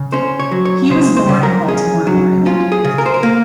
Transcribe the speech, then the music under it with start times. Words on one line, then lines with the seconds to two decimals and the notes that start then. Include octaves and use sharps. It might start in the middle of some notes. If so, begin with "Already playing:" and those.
He was born in Baltimore, Maryland.
Already playing: C#3
0.12 C#4 C5
0.40 C#5
0.52 F#3
0.65 C#5
0.90 C#3 C5
1.17 C5
1.29 C#3
1.43 A#4
1.68 C#4 G#4
2.07 F#3
2.46 C#4 F4
2.72 G#4
2.84 C#3
2.98 A#4
3.06 C5
3.14 A#4
3.23 A#3